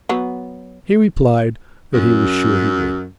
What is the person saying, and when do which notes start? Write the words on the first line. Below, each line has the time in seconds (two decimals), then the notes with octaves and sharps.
He replied that he was sure he would.
0.09 F#3 B3
1.94 F#2